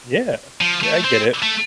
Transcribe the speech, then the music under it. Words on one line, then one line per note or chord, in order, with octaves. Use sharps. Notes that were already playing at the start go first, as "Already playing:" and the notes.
Yeah. Yeah, I get it.
F3
A3
C4
A3